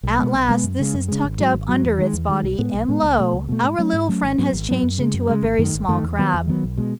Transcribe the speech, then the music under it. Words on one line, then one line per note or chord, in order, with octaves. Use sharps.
At last this is tucked up under its body, and lo! our little friend has changed into a very small Crab.
B1
B2 G#3 B3
B1
B2 G#3 B3
F#2
C#3 G#3
F#2
C#3 G#3
G#1
G#2 F#3
G#1
G#2 F#3
E2
D#3 G#3
E2
D#3 G#3
B1
A2 G#3 B3
B1
A2 G#3 B3
C#2
B2 A3
C#2
B2 A3
G#2
F#3 A3 C#4
G#2
F#3 A3 C#4
G#1
G#2 F#3 B3
G#1
G#2 F#3 B3
F#2
C#3 G#3
F#2
C#3 G#3
G#1
F#2 D#3 A3
G#1
F#2 D#3 A3
E2
D#3 F#3 B3
E2
D#3 F#3 B3
B1
B2 G#3